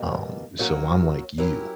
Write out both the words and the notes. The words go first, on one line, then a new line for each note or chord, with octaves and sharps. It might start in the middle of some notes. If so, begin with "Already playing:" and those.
um, so, I'm like you.
Already playing: B2 G3 A#3
F#3 A#3 C#4 F#4 A#4
F#3 C#4 E4 G4 A#4